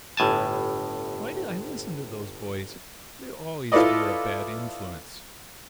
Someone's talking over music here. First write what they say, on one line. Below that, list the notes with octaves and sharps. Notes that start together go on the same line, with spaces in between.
Why did I listen to those boys? They always were a bad influence!
G1 A2 G#5 A5
E4 F4 A4 B4 D5 D#5